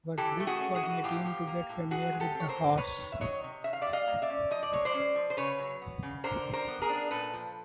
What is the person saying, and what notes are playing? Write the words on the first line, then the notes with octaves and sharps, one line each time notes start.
Was good for my team to get familiar with the horse.
E3 G4 A4
A3
F#4 G#4
C#4
F#4 G#4
E3
A2 F4 G4
F3
A#3
A2
E3 F#4 G#4
G#3
G4 A4
C4
C#5
A#4 C5
E3
C3 B4 C#5
D#3
E5
F#3 C#5 D#5
C3
D#3 E5
F5
G3 D5 E5
D#5 F5
A#3
D5 E5
C#4
F3 D#5
D5
G#3 C#5
C5 D5
C#4
F3
C5
C#3 B4 C#5
F#3
B3
C#3
D3 A#4 C5
G3
A#4 C5
B3
G#4 A#4
D4
A#2 A4 B4
F3